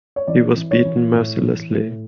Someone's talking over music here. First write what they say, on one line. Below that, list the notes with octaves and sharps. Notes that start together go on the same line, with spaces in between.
He was beaten mercilessly.
C#5
E3 D5
E3
C#5
E3
A2
E3
A2